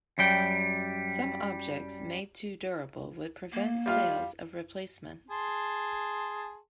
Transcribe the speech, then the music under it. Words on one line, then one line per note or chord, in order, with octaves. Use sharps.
Some objects made too durable would prevent sales of replacements.
F#2 F#3 G3 G5
A#3
G3 F4 F5
G#4 A5 C6